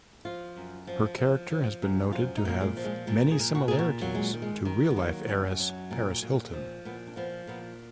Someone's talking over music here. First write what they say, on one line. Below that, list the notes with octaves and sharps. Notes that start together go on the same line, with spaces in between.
Her character has been noted to have many similarities to real-life heiress Paris Hilton.
F3 F4
F#2
F3
F3
F3
F#2
F3 F4
D#4
A#2 A#3
G#3
F3
G#3
A#2 A#3
G#4
A#2
F#4
A#2 G#4
F#4
F#3 A#3
G#3
D#3
G#3
D#3
B3
F#3 A#3
F#2
F#3
A#2
A#2
F3
A#2 B3
D4
F3 B3
A#2 B3